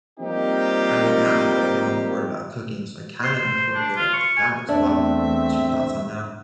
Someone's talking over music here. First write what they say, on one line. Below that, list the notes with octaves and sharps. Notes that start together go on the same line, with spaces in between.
I won't have to, like, go home and worry about cooking, so I kinda incorporate up like that as well. What's your thoughts on that?
F3 G3 A#3 C4 D#4 G4
C5
D4
F4
C#6
G#5
E2 A3 C4 D4 E5